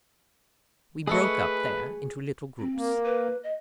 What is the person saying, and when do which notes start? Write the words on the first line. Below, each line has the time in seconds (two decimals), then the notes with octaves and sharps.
We broke up there into little groups.
1.07 A3 G#4 A4 B4 D#5 C#6
2.60 C4
2.75 A#3
3.05 B4
3.44 D#5